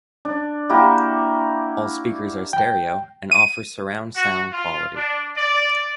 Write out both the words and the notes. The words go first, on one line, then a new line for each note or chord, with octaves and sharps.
All speakers are stereo and offer surround sound quality.
D4
A#3 E4 F#4 G4
G5
D#7
F#4
F4
D4
D5